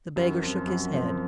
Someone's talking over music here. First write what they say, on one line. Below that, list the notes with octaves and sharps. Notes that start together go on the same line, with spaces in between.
The beggar shook his head.
F#2
F3 C4
F#2
F3 C4